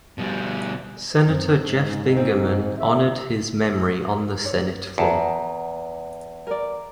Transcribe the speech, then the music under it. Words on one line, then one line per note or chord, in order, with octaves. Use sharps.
Senator Jeff Bingaman honored his memory on the Senate floor.
B2 G3
F#2 C4
G#2
C4
G1 E5
C#5
E2 F#4 A5 A#5
A#4 D5